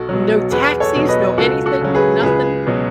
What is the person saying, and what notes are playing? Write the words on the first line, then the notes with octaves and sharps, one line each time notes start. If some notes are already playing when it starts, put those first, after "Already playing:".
No taxis, no anything, nothing.
Already playing: B1 F#4 A4
B2 F#3
E2 G#4 B4
A4 C#5
B2 F#3
B4 D#5
C#2 F#4 A4
F#4 A4
C#3 F#3
G#4 B4
C#2 G#4 B4
B2 F#3